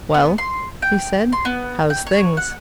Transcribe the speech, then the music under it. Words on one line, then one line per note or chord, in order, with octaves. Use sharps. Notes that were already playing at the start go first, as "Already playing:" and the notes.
"Well," he said, "how's things?"
B3
C6
G5
C6
B3
G5
C#5
F#5